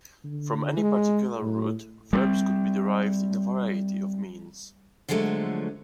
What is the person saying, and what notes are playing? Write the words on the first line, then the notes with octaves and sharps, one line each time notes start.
From any particular root, verbs could be derived in a variety of means.
D3
G#3
A2
G3 G#3 C4
D3 F3 F#3 G#3 A3